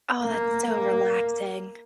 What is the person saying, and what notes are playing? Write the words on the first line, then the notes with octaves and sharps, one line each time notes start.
Oh, that's so relaxing.
A#3
A#3